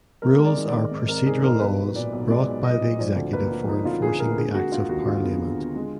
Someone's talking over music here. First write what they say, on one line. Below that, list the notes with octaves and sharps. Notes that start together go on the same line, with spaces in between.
Rules are procedural laws brought by the executive for enforcing the acts of parliament.
G#1 A#4
G#3
D5
D#3
D5
G#3
G#2
G#1 A#4
G#2 G#4
G#2 A#4
B1 B4
B1
A#2 D5
B1
G#3 D5
B1
B1 D#5
A#2
F3 D5
D2
A#3 B4
F3
F3 D#4
D2 F4
D3 G#4
A#3 A#4
D3 G#4
G#3 F#4
D3 F4
D#2 F#4
D3 F4
B3
D3
D3
G#3